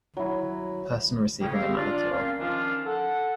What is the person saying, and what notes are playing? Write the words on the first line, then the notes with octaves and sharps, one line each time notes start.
Person receiving a manicure.
F#3 E4
F2 A2 C#3 A#3 C#4 G5
G#3 C4 G4 A#4 E5 F5
D4 F4 D5
A#3 C4 C#4 F4 F5
D#3 F3 C#4 D4 F4
A4 F#5